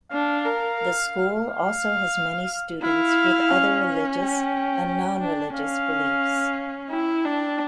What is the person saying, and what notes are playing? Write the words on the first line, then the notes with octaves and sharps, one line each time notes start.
The school also has many students with other religious and non religious beliefs.
D4 F5
A#4
F5
E4 F5
C#4
G5
C#4
D4
C#4 F5
E4 G5
D4